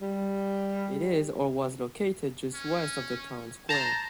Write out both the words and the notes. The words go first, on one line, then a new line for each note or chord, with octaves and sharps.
It is or was located just west of the town square.
G3
C#4
C5 A5 A#5